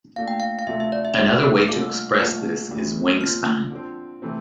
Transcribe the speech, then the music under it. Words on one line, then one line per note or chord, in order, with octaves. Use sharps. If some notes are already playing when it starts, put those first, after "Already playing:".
Another way to express this is wing span.
A#2 A3 D4 F5
G5
F5
F5
D2 C3 F3 A3 E5
E5
D5
E5
A#2 G3 C4 F4
C2 A#2 A3 D4 F4 D6
E6
F6
C2 A#2 F3 A3 F6
D2 D3 G3
A#2 F3 C4 F4 F6
D3 F3 C4
C3 E3 A3 C4